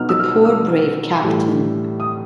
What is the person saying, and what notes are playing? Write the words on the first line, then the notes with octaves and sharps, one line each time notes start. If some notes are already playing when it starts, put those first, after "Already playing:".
The poor, brave Captain!
Already playing: B2 F#3 B3 D#4 F6
E6
F6
E6
A2 E3 G3
D#6